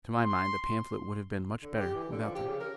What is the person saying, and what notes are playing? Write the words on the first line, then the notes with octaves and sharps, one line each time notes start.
To my mind, the pamphlet would have been much better without them.
C6
D3
G4
E3
D3
F3
G4
C#3
A#4